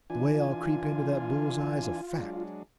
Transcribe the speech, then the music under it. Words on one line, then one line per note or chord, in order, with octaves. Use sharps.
"The way I'll creep into that bull's-eye's a fact."
E3 D4 F4 G#5
F#3 G#3 D4